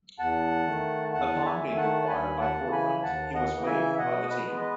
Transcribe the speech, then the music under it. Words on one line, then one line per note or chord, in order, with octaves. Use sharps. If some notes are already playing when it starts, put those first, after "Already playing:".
Upon being acquired by Portland, he was waived by the team.
E2 F#5 A5
D#3 A3
E2 F#5 A5
E5 G#5
D#3 A3
F#5 A5
D#2 G#5 B5
F#5 A5
C#3 E3
G#5 B5
D#2 F#5 A5
D#5 F#5
C#3 E3
E5 G#5
B2 D#5 F#5
B4 D#5
G#3 B3
B4 D#5